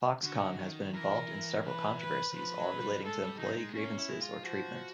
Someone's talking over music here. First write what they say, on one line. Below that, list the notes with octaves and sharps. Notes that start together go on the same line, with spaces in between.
Foxconn has been involved in several controversies all relating to employee grievances or treatment.
D3 F#4
D#3
E3 A#4
B4
B4
F3 B4
F#3
G3
G3
G#3 A4
G3
F#3 D#4
A3
G#3
A#3 C#4
E4
G#3
F4
F3 F#4